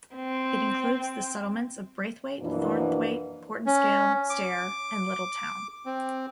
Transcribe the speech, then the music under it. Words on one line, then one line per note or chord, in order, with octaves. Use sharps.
It includes the settlements of Braithwaite, Thornthwaite, Portinscale, Stair and Little Town.
C4
F#2 B2 E3 F3 A#3 D4
C#4
D6
C4